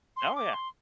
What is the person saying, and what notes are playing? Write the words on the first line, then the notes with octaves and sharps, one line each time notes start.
Oh, yeah.
C6
D6
C6